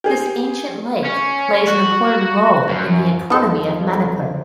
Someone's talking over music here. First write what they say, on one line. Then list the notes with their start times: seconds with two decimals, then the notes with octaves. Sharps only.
This ancient lake plays an important role in the economy of Manipur.
0.04 G4 G#4
1.05 C#4
1.68 F#4
2.69 F#2
3.30 F2 G3 D#4 G#4 A4 D#5